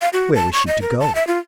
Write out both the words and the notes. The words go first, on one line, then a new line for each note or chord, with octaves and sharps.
Where was she to go?
F5
F#4
A5
C#6
D#5
A#4
A5
E5
F4